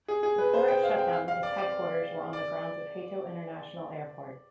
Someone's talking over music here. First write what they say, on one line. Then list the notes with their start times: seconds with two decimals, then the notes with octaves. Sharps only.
Before its shutdown its headquarters were on the grounds of Hato International Airport.
0.08 G#4
0.23 G#4
0.38 B4
0.53 C5
0.68 G5
0.83 F5
0.98 G5
1.13 F5
1.28 F5
1.43 D5
1.58 D5
2.33 D5